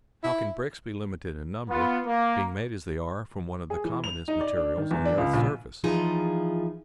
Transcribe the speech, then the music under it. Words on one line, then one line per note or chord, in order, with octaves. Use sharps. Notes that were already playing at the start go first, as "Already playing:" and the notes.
How can bricks be limited in number, being made as they are from one of the commonest materials on the earth's surface?
E4
B3 F4
A#3
G#4
E3
F7
D#4
D5
D4
D#3
E2
D4
C#2
A#1
E3 F3 D#4 F4 G#4